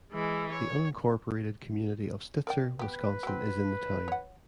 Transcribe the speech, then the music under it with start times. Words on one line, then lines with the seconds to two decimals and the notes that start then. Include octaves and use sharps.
The unincorporated community of Stitzer, Wisconsin is in the town.
0.12 E3 G#3
0.52 C#5
2.47 A#4 D5 G5
2.79 B3 G4 B4
3.23 F#3 C4
4.08 C#5 F#5